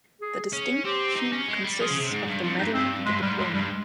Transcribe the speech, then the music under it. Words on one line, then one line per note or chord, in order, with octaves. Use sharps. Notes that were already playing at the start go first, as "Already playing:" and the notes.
The distinction consists of the medal and the diploma.
G#4
C#4
C4 G4
D#4
C#4
G#3
G3
F3 G#4
C#3
C3
G#2
G2
F2 F4
G2 D#4
G2 C4
G2 G#3
G#2 G3
F2 G#3
G2 G3
G#3